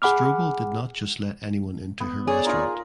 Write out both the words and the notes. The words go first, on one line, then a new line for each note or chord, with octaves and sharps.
Strobel did not let just anyone into her restaurant.
G#4 F#5 B5 D6 F6
B3
G#4 C#5 D5
D#4 F4 A#4